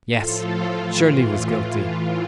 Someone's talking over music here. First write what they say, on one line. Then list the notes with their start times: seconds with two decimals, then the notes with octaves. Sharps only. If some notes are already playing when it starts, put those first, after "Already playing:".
Yes, Shirley was guilty.
0.12 A2 F3 F4 A4
0.78 A2 E3 F4